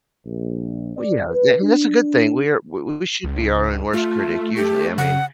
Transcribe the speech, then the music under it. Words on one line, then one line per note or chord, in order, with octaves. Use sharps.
Well, yeah. Th and that's a good thing. We are w we should be our own worst critic usually. I mean,
A#1
D5
B4
D4
C#2
A3 F4
G4
C#3 F#5